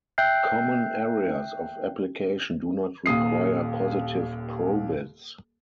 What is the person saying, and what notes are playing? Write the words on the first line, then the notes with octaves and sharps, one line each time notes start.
Common areas of application do not require positive probits.
E5 G5 F#6 G6 C7
D#1 D#2 D#6 C7